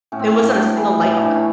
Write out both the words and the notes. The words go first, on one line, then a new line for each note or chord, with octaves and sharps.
There wasn't a single light on.
A2 C#4
C4
C#4
A2
A2 D4
E3
A2 D#4
E3 D4
C#4